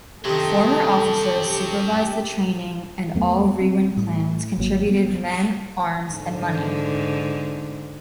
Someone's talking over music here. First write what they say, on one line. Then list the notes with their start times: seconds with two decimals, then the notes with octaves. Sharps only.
Former officers supervised the training and all Reewin clans contributed men, arms, and money.
0.25 F#2 C3 D#3 F#3 G4 A4
3.15 E2 F#3 A3 B3
3.61 C4
3.97 A2
4.58 G#1 F#3 A#3
4.86 F#3 A3 B3
6.12 G#2 D3